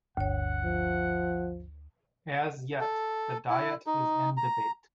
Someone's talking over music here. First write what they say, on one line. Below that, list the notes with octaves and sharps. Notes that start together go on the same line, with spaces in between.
As yet, the diet is in debate.
G1 D2 C#5 F#5
F3
A4
E4
D#4
A#5